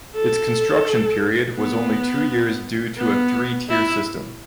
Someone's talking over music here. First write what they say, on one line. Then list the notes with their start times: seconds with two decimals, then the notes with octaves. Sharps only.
Its construction period was only two years due to a three-tier system.
0.15 A4
1.56 B3
2.97 B3
3.69 E4